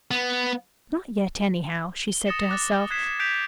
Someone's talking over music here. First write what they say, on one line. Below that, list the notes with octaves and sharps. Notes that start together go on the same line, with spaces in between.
"Not yet, anyhow," she said to herself.
B3
G7
D#6 A6 A#6 C#7 E7
D6 F#6 A6
F#6 G#6 B6 C7 E7
F#6 G6 B6 D7 F7